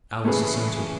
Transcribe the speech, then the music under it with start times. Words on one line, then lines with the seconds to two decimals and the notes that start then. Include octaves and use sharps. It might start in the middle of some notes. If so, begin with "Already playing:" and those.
Alice assented.
0.25 C#3 E3 A3 C#4 G#4 B4